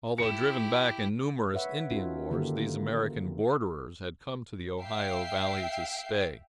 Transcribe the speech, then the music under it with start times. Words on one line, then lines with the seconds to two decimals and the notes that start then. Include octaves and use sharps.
Although driven back in numerous Indian wars, these American borderers had come to the Ohio valley to stay.
0.18 E4 G4 C#7 E7
1.54 B4 C#5 E5 F#5
1.91 C#4 D#4 F4 F#4 E5
2.31 D3 D#3 A#3 F4 G4 A4
4.81 E5 F5 G5 C7